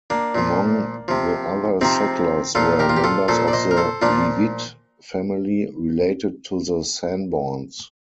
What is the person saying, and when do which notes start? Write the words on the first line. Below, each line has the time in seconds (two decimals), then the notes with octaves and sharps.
Among the other settlers were members of the Leavitt family, related to the Sanborns.
0.10 A#3 D4
0.35 A#2 F3
1.08 C3 F3
1.81 C3 F3 C4 D#4
2.55 A#2 F3 F4 A4
2.79 G4 A#4
2.89 F4
2.97 G4
3.04 F4 A4
3.28 A#2 F3 A4 C5
3.48 D5
3.53 C5 D#5
3.71 A#4
3.77 A4 C5
4.02 A#2 F3 D4 F4